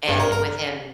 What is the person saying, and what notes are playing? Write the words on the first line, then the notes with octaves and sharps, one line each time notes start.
and with him
G2
A#4
A#4